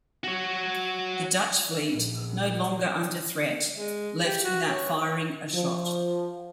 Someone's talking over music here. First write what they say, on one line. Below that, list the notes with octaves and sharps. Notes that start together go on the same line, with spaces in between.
The Dutch fleet, no longer under threat, left without firing a shot.
F#4 C#5
A#1
G#3
G4
F#4
C#5
F3